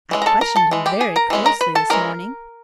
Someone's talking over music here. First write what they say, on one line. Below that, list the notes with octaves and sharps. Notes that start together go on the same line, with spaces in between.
I questioned him very closely this morning.
E3 G#3 C#4
A#5
A4 A5
A#4 A#5
A4 A5
E3 G#3
G4 G5
G#4 G#5
A#4 A#5
E3 G#3 C#4
A#4 A#5
B4 B5
A4 A5
E3 G#3 C#4 A#4 A#5